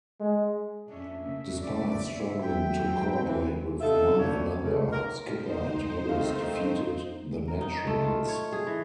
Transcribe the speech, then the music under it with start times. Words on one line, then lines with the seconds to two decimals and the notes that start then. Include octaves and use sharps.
Despite struggling to cooperate with one another, Skipper and Harris defeated The Naturals.
0.20 G#3
0.87 F2 C#4 D4 E5
1.21 C#3 A#3
1.60 D5
2.41 F#3 G5
2.83 C4
3.21 E3
3.81 C3 D#4 F4 A4 E5
4.19 D2 A#3 D4 C#5
4.63 C#3 A3
4.93 A#4
5.31 D#4 C5
6.09 D#3 A3 C4 F5
7.48 A#4
7.61 D#4
7.87 A3
8.02 F4
8.28 C#5
8.52 G#4
8.67 E3